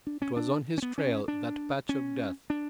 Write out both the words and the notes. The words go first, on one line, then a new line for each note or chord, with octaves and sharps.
It was on his trail, that patch of death.
D4
C#4
D4
C#4
B3
C#4
D4
C#4
D4